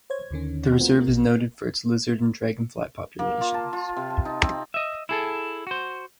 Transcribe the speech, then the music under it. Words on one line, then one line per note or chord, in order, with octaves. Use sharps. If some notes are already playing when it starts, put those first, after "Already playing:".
The reserve is noted for its lizard and dragonfly populations.
C5 C#5 G#6
D#2 D3 D#3 C#4
A3 B3 C4 F4 F#4 A#4
A#1 B2
A#3
F4
A5
F4
C3
A5
D#4
C4
D#5 E5
E4 G#4 A4
F#4 C5